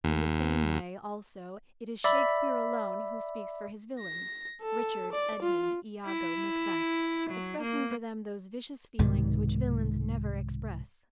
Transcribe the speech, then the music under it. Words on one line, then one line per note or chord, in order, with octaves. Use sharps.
In the same way, also, it is Shakespeare alone who speaks for his villains: Richard, Edmund, Iago, Macbeth, expressing for them those vicious feelings which villains never express.
D#2
D5 E5 B5
A#6
A4
D5
F4
E4
F#3
A#3
C2 G#2 B2 D#3